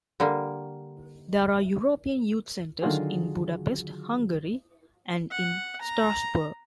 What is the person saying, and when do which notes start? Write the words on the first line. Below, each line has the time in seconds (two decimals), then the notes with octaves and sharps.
There are European Youth Centres in Budapest, Hungary, and in Strasbourg.
0.20 D3 G3 A#3
2.82 D3 D#3 F#3 F4 F#4 G#4
5.31 F#5
5.81 A#5